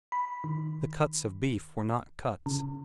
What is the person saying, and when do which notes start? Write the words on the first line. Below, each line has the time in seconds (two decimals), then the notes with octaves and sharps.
The cuts of beef were not cuts.
0.12 B5
0.44 D#3
2.46 C#3